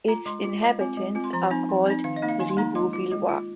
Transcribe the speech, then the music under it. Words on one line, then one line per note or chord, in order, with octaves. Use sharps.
Its inhabitants are called "Ribeauvillois".
F4 A#5
G#3 C6
F4
G#3
C4 F4
G#3
C4 F4
C6
F3 A#5
C4 D#4
F3
C4 D#4
D#3 F5
D#5
A#3 D#4
F5
D#3 G#5
C6
A#3 D#4 A#5
G#3 C6
F4
G#3
F4